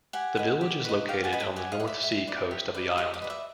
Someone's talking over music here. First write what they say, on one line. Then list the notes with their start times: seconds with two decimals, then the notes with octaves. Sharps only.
The village is located on the North Sea coast of the island.
0.13 G4 F#5 G#5
0.37 B4 D#5
0.61 G4
0.85 B4 D#5
1.08 G4 F5 G5
1.24 F#5 G#5
1.33 B4 D#5
1.40 G5 A5
1.56 G4 F#5 G#5
1.72 D#5 F5
1.80 B4 D5
1.87 E5
2.03 G4 E5
2.27 B4 D5
2.51 G4
2.75 B4 D5
2.98 G4 D#5
3.14 D#5
3.22 B4 D5
3.30 E5